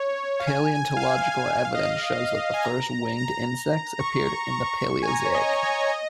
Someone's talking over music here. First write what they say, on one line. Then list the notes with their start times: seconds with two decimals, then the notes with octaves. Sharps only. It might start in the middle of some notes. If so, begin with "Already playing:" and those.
Paleontological evidence shows that the first winged insects appeared in the Paleozoic.
Already playing: C#5
0.40 F5
0.47 G#5
0.75 G#5
0.97 F5
1.01 G#5
1.29 F5
1.55 G#5
1.65 F5
1.75 D#5
1.84 F5
2.54 G#5
2.65 A#5
3.18 A#5
3.45 A#5
3.73 A#5
4.00 C#6
4.26 A#5
4.42 A#5
4.54 C#6
4.81 C#6
5.03 G#5
5.07 A#5
5.25 C#5
5.35 D#5
5.62 C#5
5.89 D#5